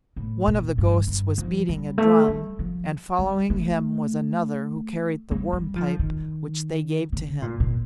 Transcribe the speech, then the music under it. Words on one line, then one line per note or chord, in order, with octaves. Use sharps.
One of the ghosts was beating a drum, and following him was another who carried the Worm Pipe, which they gave to him.
A2
A#2
G2
G2
F3
G3
A3
G3
F3
G3
A3
G3
G3
F3
D#3
D3
A#2
A#2